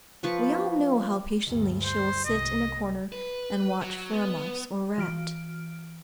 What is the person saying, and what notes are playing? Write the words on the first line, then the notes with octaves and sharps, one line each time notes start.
We all know how patiently she will sit in a corner, and watch for a mouse or rat.
F3 B4 C#6
D2 G2
C5
C2 D#5
B4
F#3
B3
E3 F6 D7